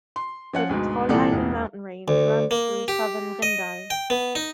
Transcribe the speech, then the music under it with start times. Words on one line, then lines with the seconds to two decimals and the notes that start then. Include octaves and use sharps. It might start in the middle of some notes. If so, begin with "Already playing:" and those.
The Trollheimen mountain range runs through southern Rindal.
0.16 C6
0.53 F3 C#4 F#5
0.69 D2 G#2 B2
1.09 C2 A#2 E3 G4 A4 D5
1.32 E1
2.08 D2
2.51 A#3
2.88 G4
3.42 D#5
3.90 G5
4.10 B3
4.35 D#4